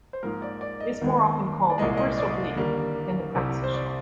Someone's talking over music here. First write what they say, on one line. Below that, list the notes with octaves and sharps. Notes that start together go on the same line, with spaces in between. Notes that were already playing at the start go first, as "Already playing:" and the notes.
It is more often called the "first oblique" than the prepositional.
C5
G#2 F3 A#3 A#4
D5
D5
D#5
D#2 D#3 G#3
D5
C2 A#2 G#3 D#5
D#5
D5
D#2 D3 G3 A#3
C2 C3 G3
C5
D5